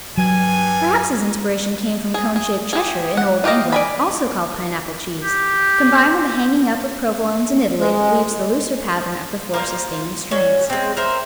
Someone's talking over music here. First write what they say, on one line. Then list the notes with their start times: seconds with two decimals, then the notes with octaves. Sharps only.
Perhaps his inspiration came from cone-shaped Cheshire in old England, also called Pineapple cheese, combined with the hanging up of Provolones in Italy that leaves the looser pattern of the four sustaining strings.
0.18 G2 F#3 G#5
2.14 G#4
2.36 G#4
2.73 G4 G#4
3.17 F#5
3.44 F4 G4 A#4 D#5
3.72 D5 G#5 B5
5.23 G4
7.76 G#3
9.54 A#3 F4 C5
10.31 C#4 F#4
10.70 G#3 C4
10.97 A#4 C5 E5